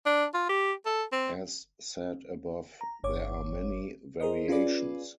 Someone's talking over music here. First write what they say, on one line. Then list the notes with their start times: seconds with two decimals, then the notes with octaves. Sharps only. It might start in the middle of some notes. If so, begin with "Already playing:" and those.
As said above, there are many variations.
0.06 D4
0.34 F4
0.49 G4
0.86 A4
1.12 C4
2.81 A#5
3.04 G1 C#5 D6
4.21 G#4 A#4 C5 D#5
4.48 C#4 F4 G#4 B4 D5